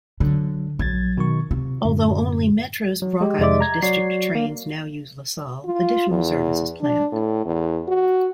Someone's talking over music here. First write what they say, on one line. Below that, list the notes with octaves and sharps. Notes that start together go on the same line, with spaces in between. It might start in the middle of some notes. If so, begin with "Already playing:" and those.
Although only Metra's Rock Island District trains now use LaSalle, additional service is planned.
D3 F#3
A#1 F#3 G#6 A6
B2 D#3 C#6
C3 F4
F#2 A2 D3
F#3
G#3 G4
F2 C3 G#3 D5 E5 D6
A#5 G#6
F#3 F#4 D5 C7
A#3
F4
E2
D4
A2
E2
F#4